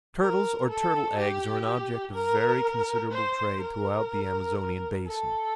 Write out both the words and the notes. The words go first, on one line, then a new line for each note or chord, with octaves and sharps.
Turtles, or turtle eggs, are an object of very considerable trade throughout the Amazonian basin.
A#4
A4
G4
A#4
C5
A#4
A4